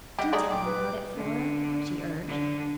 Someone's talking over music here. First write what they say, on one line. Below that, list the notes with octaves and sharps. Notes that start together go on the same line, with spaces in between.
"Do tell me about it, Flora," she urged.
G3 G4 D#5 F#5
F#3 A3 D#4 G#4 D5
A#2 G5 D6
B4
D3
D3